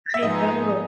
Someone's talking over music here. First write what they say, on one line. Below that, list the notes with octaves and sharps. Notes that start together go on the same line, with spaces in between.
I know.
E5
G#2 F3 G#3 B3 D#4 D#5